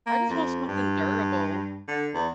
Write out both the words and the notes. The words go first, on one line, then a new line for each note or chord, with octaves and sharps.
I just want something durable.
A#3
F2
G2
D3
E2